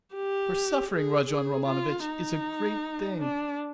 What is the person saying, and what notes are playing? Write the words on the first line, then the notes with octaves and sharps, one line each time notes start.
For suffering, Rodion Romanovitch, is a great thing.
G4
G#4
G#4
F4
D#4
D4